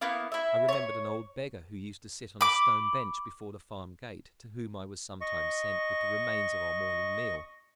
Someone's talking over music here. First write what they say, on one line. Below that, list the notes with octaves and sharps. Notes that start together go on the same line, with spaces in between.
I remembered an old beggar who used to sit on a stone bench before the farm gate, to whom I was sometimes sent with the remains of our morning meal.
A#3 B3 E4 F5
E4 E5
C#5 C#6
B5 D6
D#5 C#6